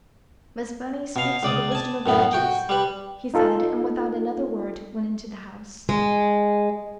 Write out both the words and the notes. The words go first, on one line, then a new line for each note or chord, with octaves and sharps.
"Miss Burney speaks with the wisdom of ages," he said, and without another word went into the house.
B2 F5
C#2 D5 D#6
G#5 A5
F#2 A2 B3
F#4 G5
G3 B4
D#4 F4 A4
G#3